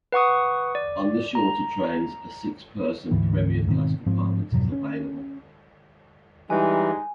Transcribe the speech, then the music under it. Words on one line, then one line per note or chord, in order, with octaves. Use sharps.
On the shorter trains, a six-person Premier Class compartment is available.
B4 F#5 C#6 D#6
D5
A#5
D2 G#2 E3
G#2 B2 D#3 C4
G#2 F3 C4
F2 G#2 B2 F#3
C#4
E3 G3 G#3 D#4 G#5